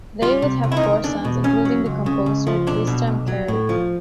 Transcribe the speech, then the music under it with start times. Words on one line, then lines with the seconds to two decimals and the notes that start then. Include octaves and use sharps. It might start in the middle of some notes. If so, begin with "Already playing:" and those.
They would have four sons, including the composer, Tristram Cary.
0.22 G3 F4
0.42 C3
0.64 C2
0.72 E4
0.77 D#4
0.83 D#3
1.04 E2 D4
1.25 B2
1.44 E2 C#4
1.65 F#3
1.86 C#2
2.06 C#3
2.26 C#2
2.47 F3
2.67 B1 D4
2.87 B2
3.07 B1
3.28 F#3
3.48 A2
3.69 F3